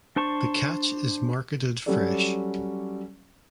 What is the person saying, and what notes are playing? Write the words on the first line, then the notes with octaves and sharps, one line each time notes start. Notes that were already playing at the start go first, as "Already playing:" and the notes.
The catch is marketed fresh.
D4 C5 A5 C#6
F#3 G3 C#4 G4 A4 D5